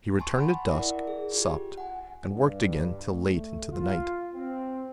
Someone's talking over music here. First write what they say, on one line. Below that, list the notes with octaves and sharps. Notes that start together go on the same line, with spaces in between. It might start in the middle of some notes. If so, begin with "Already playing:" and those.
He returned at dusk, supped, and worked again till late into the night.
G#5 A5 C6 C#6
F#5 A5 B5
E4 A#4 D5 F#5
G#4
F4 G4
F#5 G#5
G2
A3
F4
C4